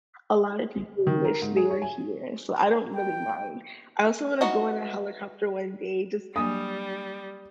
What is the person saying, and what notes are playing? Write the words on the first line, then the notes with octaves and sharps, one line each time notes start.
a lotta people wish they were here, so I don't really mind. I also wanna go on a helicopter one day just
D#3
A#4
G#2
G#4
C#5
G#5
G5
E3 D#4 F#4 D#5
F#3 G3 A#3 D4 D#6